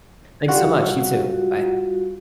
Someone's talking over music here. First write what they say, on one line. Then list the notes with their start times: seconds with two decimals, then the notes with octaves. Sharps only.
Thanks so much. You too. Bye.
0.48 G3 F4 F#4 F#5